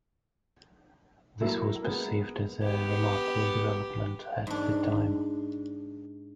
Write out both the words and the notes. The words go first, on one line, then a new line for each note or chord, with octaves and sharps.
This was perceived as a remarkable development at the time.
F#3 A#3 E4 A4
G#3 B3 A#4
B3 G4
G#2 D4